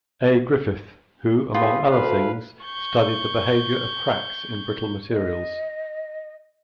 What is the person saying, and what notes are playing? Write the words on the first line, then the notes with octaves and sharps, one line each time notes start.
A. Griffith who, among other things, studied the behavior of cracks in brittle materials.
F4 G4 G#4 B4
D2 B4 F5
C#6 G6
D#5